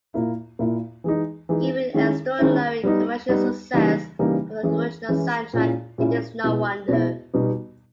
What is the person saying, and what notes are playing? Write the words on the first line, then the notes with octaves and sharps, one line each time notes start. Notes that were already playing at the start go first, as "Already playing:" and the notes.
Given the extraordinary commercial success of the original soundtrack, it is no wonder.
A#2 A#3 E4
A#2 A#3 E4
E3 G#3 D#4
E3 G#3 D#4
D#3 G#3 C#4 E4
D#3 G#3 C#4 E4
G3 B3 D#4
G3 B3 D#4
C#3 E3 G3 A#3 D#4
C#3 E3 G3 A#3 D#4
E3 G#3 C#4 E4
E3 G#3 C#4 E4
A#2 G#3 C#4 E4
A#2 G#3 C#4 E4
B2 G#3 B3 E4
B2 G#3 B3 E4
B2 G3 B3 D#4